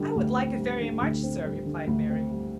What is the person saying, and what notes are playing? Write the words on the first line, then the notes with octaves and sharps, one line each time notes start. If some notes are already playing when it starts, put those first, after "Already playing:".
"I would like it very much, sir," replied Mary.
Already playing: D3 G3
D2
C4
G3
D3
D2
C4
G3
D3
D2
C4
G3